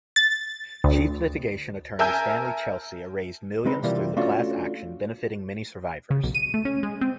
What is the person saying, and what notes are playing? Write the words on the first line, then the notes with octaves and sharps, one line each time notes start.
Chief litigation attorney Stanley Chesley raised millions through the class action, benefiting many survivors.
A6
D2
A#4 E5 G#5 A5 E6 G6
G#3 C4 D#4 B4
C3 E3 G3 A#3 F4
A3 C#4 D4 F4 F#4
C#3
B1
D#7
A3
C#4
G#3
C4